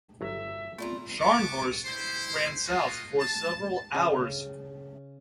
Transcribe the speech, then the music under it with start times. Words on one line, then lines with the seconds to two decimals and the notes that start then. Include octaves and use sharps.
"Scharnhorst" ran south for several hours.
0.21 G1 F#3 E5 A#5
0.78 A3 B3 C4 F4 G#4 D5 A#5
1.19 B3 A5 C#6 D6
1.84 E4 G4 C5
2.66 G#3 A#3 F4 F#4 D#5
3.19 A5
3.95 C#3